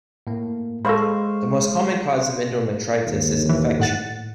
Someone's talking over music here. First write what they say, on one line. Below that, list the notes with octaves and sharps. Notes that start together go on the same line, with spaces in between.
The most common cause of endometritis is infection.
A2 A#3
G#3 A4 C5 F5 B5 C#6
D#2
E3
A2 F#5 A6